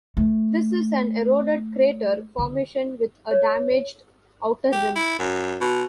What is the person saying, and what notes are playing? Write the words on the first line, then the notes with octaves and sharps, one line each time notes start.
This is an eroded crater formation with a damaged outer rim.
A3
D3
C#5
G4
E4
F#2
B2